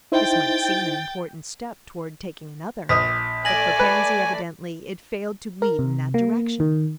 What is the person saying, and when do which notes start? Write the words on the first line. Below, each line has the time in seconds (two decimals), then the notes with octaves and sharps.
This might seem an important step toward taking another, but for Pansy, evidently, it failed to lead in that direction.
0.12 D#4 E4 C5 G5 A6
2.89 A#1 D#6 B6
3.45 A3 D5 G#5 A#6 F#7
3.79 B4
5.62 A#4
5.79 C3
6.14 A#3
6.60 D#3